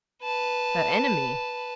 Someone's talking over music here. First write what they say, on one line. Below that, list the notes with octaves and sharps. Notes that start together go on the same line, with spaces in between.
"Her enemy?"
B4 A5